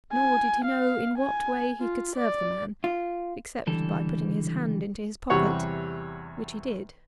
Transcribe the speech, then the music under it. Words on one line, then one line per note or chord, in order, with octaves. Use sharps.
Nor did he know in what way he could serve the man, except by putting his hand into his pocket,--which he did.
G#5
F5
G#5
F4
D5
F4
C#2 D3 E3 G3 A4
E2 C3 G3 C#5 F#5 C#6